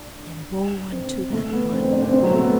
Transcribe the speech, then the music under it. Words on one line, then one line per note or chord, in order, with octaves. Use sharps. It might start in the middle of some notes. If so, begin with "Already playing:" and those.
"Then woe unto that one!"
Already playing: D4
C4
A3
B3
C4
C4
D4
C4
C4
F#3
A3
B3